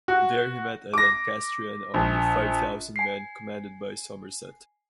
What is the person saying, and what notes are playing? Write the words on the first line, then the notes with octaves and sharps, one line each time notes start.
There he met a Lancastrian army of five thousand men commanded by Somerset.
F#4
D6 A#6
A#1
G#5 C7